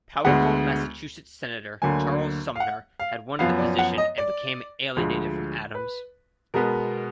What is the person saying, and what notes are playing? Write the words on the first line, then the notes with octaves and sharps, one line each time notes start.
Powerful Massachusetts Senator Charles Sumner had wanted the position and became alienated from Adams.
D2 D3 G#3 B3 F#5
D2 D3 F#3 A#3 G#5
F5
F#5
F5
F#2 F3 B3 F5
D5
F#5
D#5
D5
D2 D3 F3 G#3
B4
B2 G#3 B3 A#4